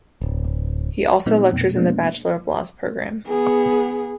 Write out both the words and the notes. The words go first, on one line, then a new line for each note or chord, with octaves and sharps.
He also lectures in the Bachelor of Laws program.
D1
A#2 F#3 A3 B3 C4 D#4
F2 B2
G#3 A#3 B3 D4
B3 G#4